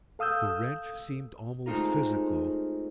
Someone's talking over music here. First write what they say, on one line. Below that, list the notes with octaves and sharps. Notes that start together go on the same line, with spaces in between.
The wrench seemed almost physical.
A4 F5 D#6 E6 G6
G#3 A3 C4 D#4 F4 A#4